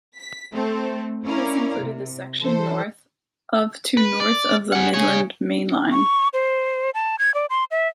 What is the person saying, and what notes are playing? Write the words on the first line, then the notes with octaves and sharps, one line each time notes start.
This included the section north of to north of the Midland Main Line.
B6
A3 C4 A4
C#4 E4 A#4 D5 F5
C3
E3 A4 C5
B4
D5
G#4 F#5
G#4 C#5
C#6
C5
A5
G#6
D5
C6
E5